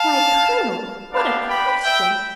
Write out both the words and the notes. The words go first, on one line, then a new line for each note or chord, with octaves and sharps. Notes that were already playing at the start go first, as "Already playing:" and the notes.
Why, colonel, what a question!
Already playing: F5 A5
B3 D4 G4 F5 A5
G5 B5
E5 G5